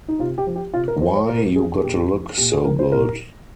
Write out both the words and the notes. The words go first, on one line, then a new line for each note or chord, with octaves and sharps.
Why You Gotta Look So Good?
D#4
C3 F4
G4
F3
G4
C3 F4
A#4
F3 C5
C#5
A#2 A#4
F3 G#4
G#4
A#2 G4
F3
A#2 G4
G#4
F3 A#4
C5
A#2 A#4